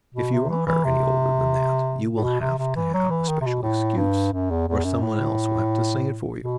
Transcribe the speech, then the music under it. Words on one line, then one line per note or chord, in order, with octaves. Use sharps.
If you are any older than that you will have to have a special excuse; or some one else will have to sing it for you.
B2
C3
E3
E3
C3
A2
B2
C3
C3
E3
F#3
E3
D#3
C3
B2
A2
G2
F#2
E2
E2
F#2
A2
B2